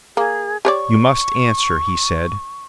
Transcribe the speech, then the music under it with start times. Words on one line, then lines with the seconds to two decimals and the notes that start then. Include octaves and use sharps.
"You must answer," he said.
0.17 A#3 G#4
0.65 G4 C#5 D5 C#6